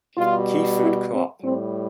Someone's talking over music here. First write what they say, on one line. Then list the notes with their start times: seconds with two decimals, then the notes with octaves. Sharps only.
Key Food Coop.
0.16 B2 G3 F4
0.80 E4
1.11 C4
1.43 A2 G3 C4